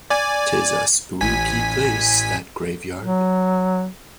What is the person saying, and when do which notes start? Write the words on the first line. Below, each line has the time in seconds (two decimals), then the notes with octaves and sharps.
'Tis a spooky place, that grave-yard.
0.10 D5 G#5
1.21 A1 G#5 B6
3.01 F#3